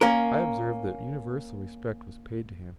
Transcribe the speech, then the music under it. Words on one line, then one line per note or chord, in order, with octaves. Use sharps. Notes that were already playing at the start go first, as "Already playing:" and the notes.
I observed that universal respect was paid to him.
A#3 C#4 A#4